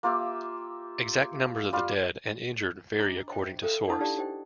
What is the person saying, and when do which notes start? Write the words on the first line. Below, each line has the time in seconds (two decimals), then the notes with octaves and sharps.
Exact numbers of the dead and injured vary according to source.
0.03 A#3 F4 G4 E5
1.73 G3 F4 F5
2.99 D4 D#5 A#5 D6
3.28 C5 D#5 E5 G5
3.62 A4 E5 F5 G5
3.87 D4 E4 F#5 A5 D6 D#6
4.01 D4 D#4 G4 D5 F5 A5
4.16 D4 D#4 G4 C5 D#5 G5